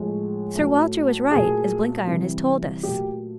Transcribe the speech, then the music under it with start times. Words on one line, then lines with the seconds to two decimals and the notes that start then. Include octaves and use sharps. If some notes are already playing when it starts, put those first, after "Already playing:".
'Sir Walter was right, as Blenkiron has told us.
Already playing: A2 F3 G#3
0.55 A2 F#3 A3
1.31 A#2 F#3 A3 G#4
2.07 C3 E3 G3
2.83 A#2 F#3 A3 G4